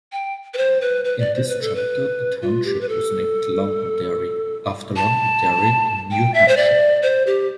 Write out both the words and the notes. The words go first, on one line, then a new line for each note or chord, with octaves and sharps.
In this charter the township was named Londonderry after Londonderry in New Hampshire.
G5
B4
C5
B4
B4
D5
C5
B4
A4
B4
F4
G4
B4
A4
A5
G5
E5
C5
D5
C5
G4